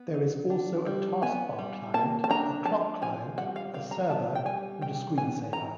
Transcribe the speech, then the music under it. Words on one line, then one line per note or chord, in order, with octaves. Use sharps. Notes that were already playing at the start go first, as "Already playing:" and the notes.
There is also a taskbar client, a clock client, a server, and a screensaver.
Already playing: B3
D#4
D4
G3
B3 G#5
G3
A#3 A5
A5
D4 A#5
F3 A5
F3 G#5
G3 F#5
F5
G3 F5
A#5
B3 A5
G5
G3 G#5
G3 G5
B3 G#5
E3 A#5